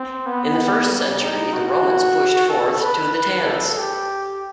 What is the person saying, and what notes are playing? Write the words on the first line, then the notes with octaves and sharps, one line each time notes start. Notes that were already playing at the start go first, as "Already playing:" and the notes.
In the first century, the Romans pushed forth to the Taunus.
Already playing: C4
B3
G3
D#4
F#4
A4
B4
B4
A4
G4